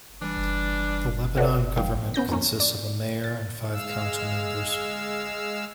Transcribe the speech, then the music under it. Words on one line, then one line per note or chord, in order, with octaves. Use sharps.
The Lebanon government consists of a mayor and five council members.
E3 G3 D4
C4 F#4 A4 B4 C#5 D5
F2 G#2 F5 G5
B3 C#4 G6 A#6
F2 A#2 A#3 C#4
D5
A6
G#3 F5 E6